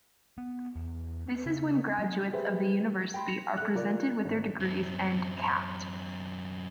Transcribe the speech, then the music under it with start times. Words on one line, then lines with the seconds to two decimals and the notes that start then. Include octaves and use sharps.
This is when graduates of the university are presented with their degrees and "capped".
0.38 B3
0.76 E2
1.46 C#3
1.99 F#3
2.33 G4 G#4 B4 C5 E5
3.14 G5 B5 C6
3.26 A#6 C#7
3.57 A4 F#6
3.75 F4 A#4 D5
4.25 G#1
4.60 F#2 C4